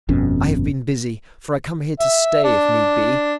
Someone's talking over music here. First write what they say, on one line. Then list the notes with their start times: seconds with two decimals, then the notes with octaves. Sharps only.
I have been busy, for I come here to stay if need be.
0.09 G1 F2 B2 C#4
2.00 E5
2.44 D4